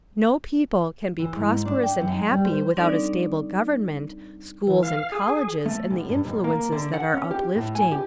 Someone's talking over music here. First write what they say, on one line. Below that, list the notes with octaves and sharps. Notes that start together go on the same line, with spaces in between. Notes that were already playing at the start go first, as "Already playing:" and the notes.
No people can be prosperous and happy without a stable government, schools and colleges and the influences that are uplifting.
E3
G#2
D4
G5
F#2
D#4
G3
C5
G3 C4 D4 D#4 A4 D5
E3
F5
G#4
A3
B1
G2
B1
A#3
D3
F#5
C#4
G4
A2
G#5
G4